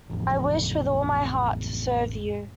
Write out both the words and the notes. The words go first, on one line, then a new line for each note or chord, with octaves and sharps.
I wish with all my heart to serve you.
A1 F2